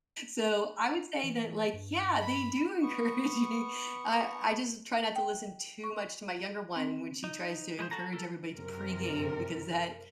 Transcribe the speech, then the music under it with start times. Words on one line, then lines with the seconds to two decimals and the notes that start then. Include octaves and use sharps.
So, I would say that, like, yeah, they do encourage me. I I just try not to listen too much to my younger one when she tries to encourage everybody to pregame because that
1.23 E3
1.73 G2
2.20 B5
2.82 B3 C#6
5.16 G5
5.84 C#6
6.76 C4
7.24 D#4
7.79 G#3 B4 C5
7.91 F#4 A4 A#5
8.12 A4 A#4
8.53 F#2 C3 A#4